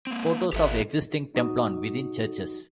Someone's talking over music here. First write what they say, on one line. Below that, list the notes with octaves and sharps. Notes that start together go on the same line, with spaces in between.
Photos of existing templon within churches.
A#3 C4
G#1 G4 A4 E5
D#4 F#4 D#6